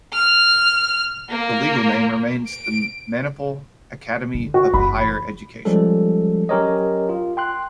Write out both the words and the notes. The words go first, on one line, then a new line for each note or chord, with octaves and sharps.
The legal name remains the Manipal Academy of Higher Education.
F6
A#3
D7
D3
F#4
F#1 E3 B5
F3 G3 G#3 C#4 A4
F#3 C#4 G4 A#4 C#5 D#5
F4
G5 C6 F#6